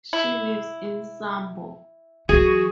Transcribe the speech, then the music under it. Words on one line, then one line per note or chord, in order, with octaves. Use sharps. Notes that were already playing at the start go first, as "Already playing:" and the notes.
She lives in Sombor.
E4
E3 F#3 F#4 G#4